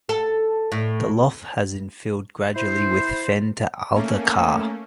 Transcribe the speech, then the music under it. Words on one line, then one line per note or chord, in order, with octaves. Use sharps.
The lough has infilled gradually with fen to alder carr.
A4
A2
E4 C5
A3 A#3 C#4